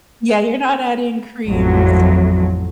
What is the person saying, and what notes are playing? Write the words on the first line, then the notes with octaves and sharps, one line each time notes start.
Yeah, you're not adding creams.
A1 F2 A2 F#3